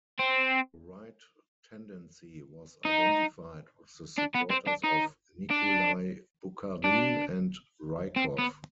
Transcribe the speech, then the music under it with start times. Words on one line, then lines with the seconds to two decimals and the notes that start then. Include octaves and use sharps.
The right tendency was identified with the supporters of Nikolai Bukharin and Rykov.
0.19 C4
2.85 D#4
4.18 D4
4.35 B3
4.51 C4
4.68 D4
4.84 D#4
5.51 D4
6.84 D4
8.16 C4
8.39 B3